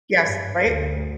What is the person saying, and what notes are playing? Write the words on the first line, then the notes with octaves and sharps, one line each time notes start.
Yes, right?
G2
D2